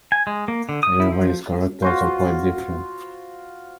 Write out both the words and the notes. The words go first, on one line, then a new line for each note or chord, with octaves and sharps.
However, his characters are quite different.
G#5
G#3
A#3
D3
D#6
E4
F3
F4 F#4 C5